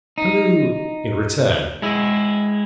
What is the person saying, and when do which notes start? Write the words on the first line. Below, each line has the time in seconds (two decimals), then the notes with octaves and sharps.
Halloo!' in return.
0.18 D#4
1.82 G#3 E4